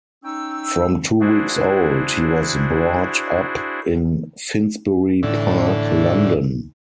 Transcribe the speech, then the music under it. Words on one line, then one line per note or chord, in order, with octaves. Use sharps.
From two weeks old, he was brought up in Finsbury Park, London.
C#4 D#4 G5 E6
D4 E4 F#4 G#4 C5
A2 D3 E3